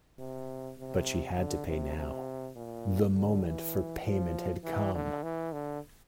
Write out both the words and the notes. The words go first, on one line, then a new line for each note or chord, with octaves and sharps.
But she had to pay now; the moment for payment had come.
C3
C3
D3
C3
C3
A#2
D3
E3
F3
E3
D3
E3
D3